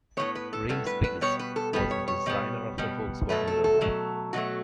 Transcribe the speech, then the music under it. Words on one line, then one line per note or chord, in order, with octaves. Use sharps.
Reimspiess was the designer of the Volkswagen logo.
A2 G3 B3 C#5
B4
A4
A2 G3 B3 A4
B4
B4
B2 G3 B3 C#5
B4
A4
B2 G3 B3 B4
C#5
C#5
B2 G3 B3
B2 G3 B3
B2 F#3 A3 B4
A4
A4
B2 F#3 A3
B2 F#3 A3 F#4